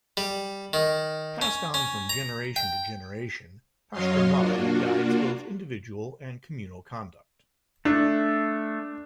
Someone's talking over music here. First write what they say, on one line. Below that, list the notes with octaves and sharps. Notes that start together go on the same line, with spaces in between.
Passed on from generation to generation, Pashtunwali guides both individual and communal conduct.
G3
D#3
C#4
C#4
A#5
G5
F#2 F#3 C#5 D#5 F5 C6
A#3 D4 F4 F#4
A3 D4